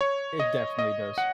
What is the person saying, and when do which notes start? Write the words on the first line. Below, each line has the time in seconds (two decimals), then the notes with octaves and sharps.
It definitely does.
0.01 C#5
0.39 D#5
0.79 D#5
1.18 F#5